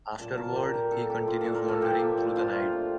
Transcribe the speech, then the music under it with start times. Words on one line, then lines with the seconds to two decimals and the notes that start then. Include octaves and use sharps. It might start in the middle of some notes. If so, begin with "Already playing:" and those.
Afterward, he continues wandering through the night.
0.19 A#2 A5
0.37 F3 A#4
0.55 A#3 G4
0.73 A#2 A#4
0.91 A#2 A4
1.09 F3 G4
1.27 A#3 F4
1.41 A#2 A4
1.55 A#4
1.64 A#2 A4
1.81 F3 G4
2.00 A#3
2.17 A#2
2.35 F3 F4
2.53 A3
2.72 D4